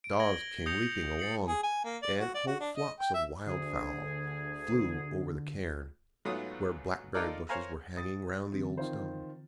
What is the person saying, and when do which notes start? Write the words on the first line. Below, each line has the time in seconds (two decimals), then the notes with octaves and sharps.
The dogs came leaping along, and whole flocks of wild-fowl flew over the cairn, where blackberry-bushes were hanging round the old stones.
0.04 D7
0.20 G#6 A#6 F#7 G7
0.66 D#6 G6 A#6 C7 C#7 F7
0.92 F7
1.19 A6 C7 C#7 F#7
1.48 G#4
1.63 G#5
1.84 A#3
2.03 D5
2.20 F#4
2.34 D5
2.47 F#4
2.60 D4
2.76 D#5
3.00 G5
3.14 E5
3.46 D2 D3 G#4
6.25 G#2 F#3 A3 B3 F4 D#6
7.15 D#4 F4 A4 A#4 D5
7.49 A#4 C5 C#5 F5 G#5 A#5
7.97 D#6 A6
8.52 D3 E3 C4
8.77 D#3 F4 C5